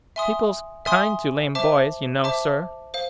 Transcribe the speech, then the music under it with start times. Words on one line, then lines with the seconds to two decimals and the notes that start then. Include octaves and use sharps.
People's kind to lame boys, you know, sir.
0.16 E5 G#5 C6 D#6
0.85 E5 G#5 C6 D#6
1.55 C5 E5 A5 D6
2.24 C5 E5 A5 D6
2.94 C5 F5